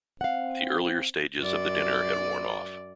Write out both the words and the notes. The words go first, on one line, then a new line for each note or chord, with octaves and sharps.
The earlier stages of the dinner had worn off.
C4 F5 F#5
F#2 D5